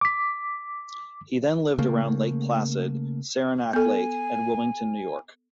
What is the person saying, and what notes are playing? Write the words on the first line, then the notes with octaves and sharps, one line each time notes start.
He then lived around Lake Placid, Saranac Lake, and Wilmington, New York.
D6 B6
C#3 A3 A#3
B3 A4 G#5